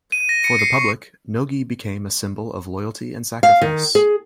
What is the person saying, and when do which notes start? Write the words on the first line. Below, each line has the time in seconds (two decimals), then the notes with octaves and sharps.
For the public, Nogi became a symbol of loyalty and sacrifice.
0.12 D#7
0.29 A#6
0.44 C#7
0.59 C7
0.74 C#6
3.43 F5
3.61 D#3
3.95 G#4